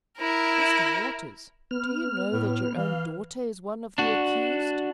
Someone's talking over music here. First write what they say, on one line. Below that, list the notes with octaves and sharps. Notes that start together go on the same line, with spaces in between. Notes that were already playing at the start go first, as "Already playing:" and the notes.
"Mr. Waters, do you know that your own daughter is one of the accused?"
E4 A#4
B3 F6
A2
E3 F5
D4 F#4